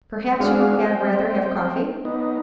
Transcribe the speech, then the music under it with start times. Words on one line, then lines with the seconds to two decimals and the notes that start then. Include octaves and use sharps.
"Perhaps you had rather have coffee?"
0.40 G#3 D4 F#4 G#4 F5
0.80 C4 G5
2.05 B3 D#4